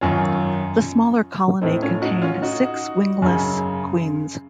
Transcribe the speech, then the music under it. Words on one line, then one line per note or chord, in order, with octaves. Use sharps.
The smaller colony contained six wingless queens.
F#2 D#3 C#4 F4
A2 C4 D#4
C#4 F4
D#4 F#4
C#4 F4
D#4 F#4
F#2 C#3